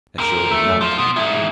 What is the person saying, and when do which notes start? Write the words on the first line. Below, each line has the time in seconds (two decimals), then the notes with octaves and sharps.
Assuredly not.
0.18 C3 A#4
0.51 A3
0.81 F3
0.98 B2
1.16 G#2 E4